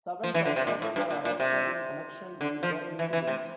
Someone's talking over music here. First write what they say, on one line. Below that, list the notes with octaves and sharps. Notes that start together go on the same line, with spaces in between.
Seven suspects were arrested in connection with the incident.
F3
E3
D3
C3
A#2
A2
G2
A#2
A#2
C3
D3
F3
E3
E3
C3